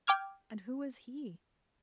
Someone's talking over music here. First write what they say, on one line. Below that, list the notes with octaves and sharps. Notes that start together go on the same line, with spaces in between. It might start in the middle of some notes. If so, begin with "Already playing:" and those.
And who was he?
G5 D6 F6 G#6